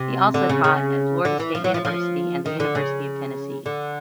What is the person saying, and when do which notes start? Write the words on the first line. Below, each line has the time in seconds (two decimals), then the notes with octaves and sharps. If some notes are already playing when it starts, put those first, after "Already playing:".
He also taught at Florida State University and the University of Tennessee.
Already playing: C3
0.34 D3
0.49 C#3
0.64 C#3
1.25 D3
1.40 E3
1.55 F3
1.64 F#3
1.74 F3
1.85 F3
2.46 D#3
2.60 D3
2.75 C#3
3.66 D3